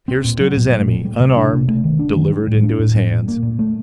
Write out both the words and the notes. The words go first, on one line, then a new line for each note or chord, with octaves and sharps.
Here stood his enemy, unarmed, delivered into his hands.
C4
A#2
F#3
A#2
A3
A#2
G3
C3
D4
C3
A3
D#3
D4
D#3
G3
A2
D4
A2
G3
A#2
A#3
A#2
A3